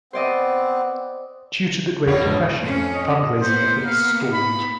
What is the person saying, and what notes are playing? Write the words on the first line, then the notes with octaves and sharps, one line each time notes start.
Due to the Great Depression fund-raising efforts stalled.
B3 C4 C5 D5 D#5
E2 B2 G3 A#3 C#5
E1 G#2 F3 G#3
F2 C#4
D#5
A#3 B3 C5
F5
B5